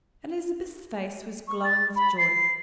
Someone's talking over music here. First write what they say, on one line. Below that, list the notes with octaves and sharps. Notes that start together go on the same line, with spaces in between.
Elizabeth's face was glowing with joy.
C#6
A6
B5
C7